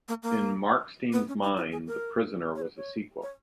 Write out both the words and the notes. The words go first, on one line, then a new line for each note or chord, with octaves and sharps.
In Markstein's mind, "The Prisoner" was a sequel.
A#3
A#3
B3
C#4
D#4
E4
G#4
A#4
C#5
B4
C#5
C#5